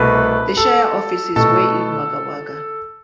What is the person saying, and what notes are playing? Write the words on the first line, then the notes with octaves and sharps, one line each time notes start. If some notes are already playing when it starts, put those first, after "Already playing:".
The shire offices were in Wagga Wagga.
Already playing: C2 B2 A3 B4 B5
A4 A5
B2 A3 E4 A4 A5